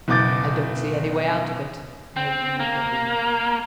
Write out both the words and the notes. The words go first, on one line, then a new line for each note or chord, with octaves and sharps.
"I don't see any way out of it," I agreed readily.
F#1 B2 B3 D6 G6 A6
C4
A#3